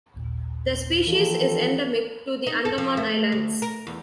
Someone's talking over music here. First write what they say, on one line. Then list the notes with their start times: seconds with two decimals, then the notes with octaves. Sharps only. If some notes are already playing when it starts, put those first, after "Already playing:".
The species is endemic to the Andaman Islands.
0.14 A1 D#2 A#2
1.07 D#2 E3 F3 F4 A4
2.47 D#4
2.65 A4
2.78 F3
2.97 A3
3.32 D2
3.62 A#4
3.87 E2